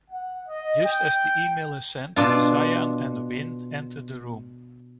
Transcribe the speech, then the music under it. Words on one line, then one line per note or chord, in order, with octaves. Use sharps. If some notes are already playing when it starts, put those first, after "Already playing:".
Just as the email is sent, Cyan and Wynn enter the room.
F#5
D#5
G5
B2 D4 F4